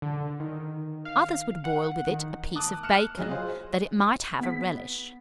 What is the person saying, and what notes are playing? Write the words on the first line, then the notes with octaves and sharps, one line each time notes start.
Others would boil with it a piece of bacon, that it might have a relish.
D3
D#3
F5
F#5
D#3
A5 D6 D#6 F#6
F6 F#6 C#7 E7
F#3 G#4 D#5 F#6
F4 G#4 C5
B3 B6